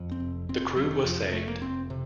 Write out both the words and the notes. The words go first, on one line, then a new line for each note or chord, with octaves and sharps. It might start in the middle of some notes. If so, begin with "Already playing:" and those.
The crew was saved.
Already playing: F2
C4
F1
F1 C4
C3 F#3
D#3
F2 F3
F1 A3
A#3
F1 C4
C3